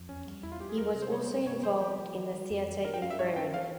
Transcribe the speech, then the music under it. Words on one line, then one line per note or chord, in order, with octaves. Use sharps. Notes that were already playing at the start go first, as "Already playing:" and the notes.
He was also involved in the theatre in Bremen.
Already playing: F2
E2 C#4
G3
E2 E4
F4
G3 G4
G#4
G3 A#4
C3
C5
G3 C#5
C3
G2 C#5
F3 C5
F3 G4
F3
E3
G3
F2
E3
G2 A#4
G5
C#4 F5
E5
G2 C#5
C#4 G5
E3 F5